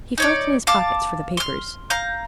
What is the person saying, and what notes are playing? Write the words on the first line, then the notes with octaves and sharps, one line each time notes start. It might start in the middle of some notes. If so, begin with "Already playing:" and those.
He felt in his pocket for the papers.
D#4 C#5 D5
F5 A5 D6
C6 F6
F5 A#5 G6